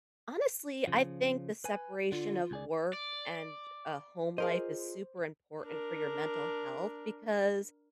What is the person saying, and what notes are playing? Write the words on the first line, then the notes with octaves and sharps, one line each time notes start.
Honestly, I think the separation of work and a home life is super important for your mental health because
C#3 F3
B4 G#5
D3 F4
C#2 G#4 D5
D5
F4 G#4 A#4 C5 D#5
D4 A#4